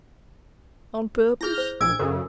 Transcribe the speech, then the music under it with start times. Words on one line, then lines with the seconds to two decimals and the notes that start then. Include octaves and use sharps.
On purpose.
1.41 E4 G#4 F6 G6 A#6
1.58 C5
1.81 A#1 D4 E6 G#6 D7
1.99 F#2 C#3 A4 A#4